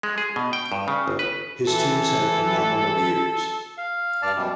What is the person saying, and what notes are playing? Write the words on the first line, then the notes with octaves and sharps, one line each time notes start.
His teams had phenomenal years.
G#3
G#4
B2
G5
G2
C#3
G1
B4
E3 A4
F5
G2 D5 A5 F6
F#2 B2 G3